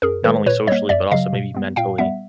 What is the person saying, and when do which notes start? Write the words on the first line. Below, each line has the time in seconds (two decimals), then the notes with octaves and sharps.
not only socially, but, also maybe mentally.
0.02 F#2 G#4 A#4
0.24 D#3 G#3 A4 B4
0.46 A#2 B4 C#5
0.67 G3 A#3 C#5 D#5
0.89 F#2 D5 E5
1.11 C#3 F#3 D#5 F5
1.33 B2
1.54 G#3 B3
1.76 A#2 F5 G5
1.98 G3 B3 E5 F#5